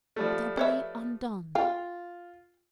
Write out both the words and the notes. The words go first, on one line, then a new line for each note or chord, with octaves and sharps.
Doubly undone!
F3 G3 A3
B4 C#5 E5
F4 F5 G5